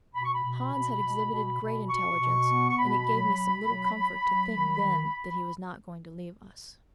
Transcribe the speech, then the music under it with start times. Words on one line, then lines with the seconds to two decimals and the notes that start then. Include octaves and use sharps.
Hans had exhibited great intelligence, and it gave me some little comfort to think then that he was not going to leave us.
0.15 B2 B5
0.24 C#6
0.34 B5
0.44 B2
0.74 B2
1.02 B2
1.31 B2
1.61 B2
1.89 B2 C#6
2.19 B2
2.48 B3
2.70 C#6
2.77 B2 B5
3.07 F#3
3.36 B2
3.65 F#3
3.95 F#3
4.23 F#3
4.52 D#3
4.82 D#3